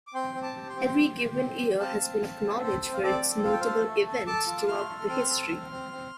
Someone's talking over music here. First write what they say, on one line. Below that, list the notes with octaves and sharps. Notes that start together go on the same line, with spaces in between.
Every given year has been acknowledge for its notable event throughout the history.
D6
C4 G5 C6
C4
A5 D6
G4
C6
C4 D6
G5 C6
G4
G4
C4
G4
C4 F5 A5
C4
C4
A4
C4 C5
C4
F5
C4 A4 D5
A4
F4 F5
G5
A4 C5 F5
A3
A4
A4 A5 D6
F4
A3 C6 F6
A4
C4 C6 F6
A4
C4
C4
C4